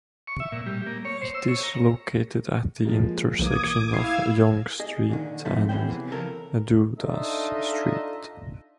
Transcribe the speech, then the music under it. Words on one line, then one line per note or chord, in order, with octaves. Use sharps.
It is located at the intersection of Yonge Street and Dundas Street.
C#6
E5
A#2
G3
A#3
C#5
C5
E6
C#5
A#5
F3 G#3 A#3
B1 E3 A#3 D6 D#6 G#6
E4 F5 E6 G#6 C7
G#4 D#5
A#2 D3 D#3
F3 G#3 A3 C4 D#4 E4
E3 B3 C#4 G#4 C5 G5
C3 E3
F2 C#3 A4 A#4
D4 D#4 F4 A4 D#5 E5